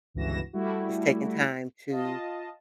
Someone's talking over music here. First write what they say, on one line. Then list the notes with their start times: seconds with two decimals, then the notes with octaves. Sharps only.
just taking time to,
0.14 G1 C#2 E3 F#4 A#6 E7
0.53 G3 A3 E4 F#4
1.90 F4 D#5 A5